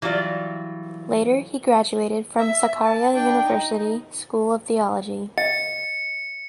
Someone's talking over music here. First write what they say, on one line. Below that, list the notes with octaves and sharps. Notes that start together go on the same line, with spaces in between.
Later he graduated from Sakarya University School of Theology.
E3 F#3 G3 F4 D5
E5
A5
D4 G5
D#4
D#5 C#7